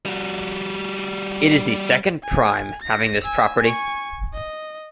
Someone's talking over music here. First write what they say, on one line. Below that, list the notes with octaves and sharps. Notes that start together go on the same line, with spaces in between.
It is the second prime having this property.
G3 F#4
G#5
A#6
G#5 E6
G#5 C#6
D#5